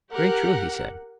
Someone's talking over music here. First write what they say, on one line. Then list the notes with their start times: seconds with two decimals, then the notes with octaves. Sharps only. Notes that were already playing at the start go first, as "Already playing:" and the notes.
Very true, he said.
0.11 G4 A#4 F#5